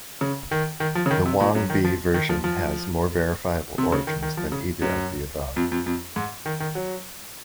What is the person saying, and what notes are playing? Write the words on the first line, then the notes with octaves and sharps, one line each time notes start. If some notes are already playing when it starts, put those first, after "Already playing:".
The "Wang Bi Version" has more verifiable origins than either of the above.
C#3
D#3
D#3
F3
C#3
D#3
C3
A#2
F#2
D#3
F3
D#3
F3
F3
C3
C#3
D#3
D#3
F3
C#3
F#2
F2
F2
F2
G#2
D#3
D#3
F#3